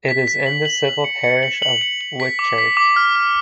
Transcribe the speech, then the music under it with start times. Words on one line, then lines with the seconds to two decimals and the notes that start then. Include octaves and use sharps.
It is in the civil parish of Witchurch.
0.09 B6
0.27 B6
0.46 F#7
0.65 F#7
0.85 F#7
1.04 C#7
1.24 C#7
1.43 F#7
1.62 F#7
1.81 C#7
2.01 F#7
2.20 B6
2.39 D6
2.58 B6
2.77 D6
2.96 F6
3.16 F6